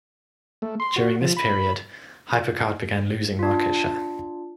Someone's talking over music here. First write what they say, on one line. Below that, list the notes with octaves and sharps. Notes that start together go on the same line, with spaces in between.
During this period, HyperCard began losing market share.
A3
C6
F#4
F3
B5
D4 F4